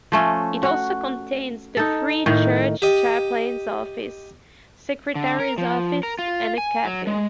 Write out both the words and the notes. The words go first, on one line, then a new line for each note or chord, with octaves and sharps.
It also contains the Free Church Chaplains' office, Secretary's office and a Cafe.
F3 A3 C#4
F#4
D#4 A4
A2 D#3
G4 D#5
D3
A#4
F3
A#4
F4
G#5
F#3
G#3